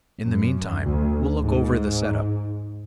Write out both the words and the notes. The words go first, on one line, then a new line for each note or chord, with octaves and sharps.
In the meantime, we'll look over the set-up.
F#2
D2
G#2